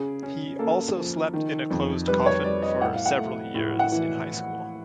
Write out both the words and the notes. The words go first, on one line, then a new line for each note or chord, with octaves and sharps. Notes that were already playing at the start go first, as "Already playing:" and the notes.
He also slept in a closed coffin for several years in high school.
Already playing: C#3 G#4
C#4
A#3 A4
F3
D#3
F2
G3 B4
C#5
G3 D5
D#5
A2 F#5
F5
F#5
A3
A2
F#5
E3